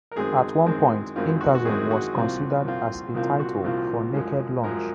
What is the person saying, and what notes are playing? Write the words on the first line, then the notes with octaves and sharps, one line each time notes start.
At one point, Interzone was considered as a title for "Naked Lunch".
A#4
F#2 D#3 G#3 C4 G#4
F#2 D#3 G#3 C4
F#2 D#3 G#3 C4 F4
F#4
F#4
F#2 D#3 G#3 C4 G#4
F#4
C2 A#2 F3 C4 F4
C2 A#2 F3 C4 F4
C2 A#2 F3 C4 F4
F#4
C2 A#2 F3 C4 F4
F#2 F3 G#3
F#2 F3 G#3 A#4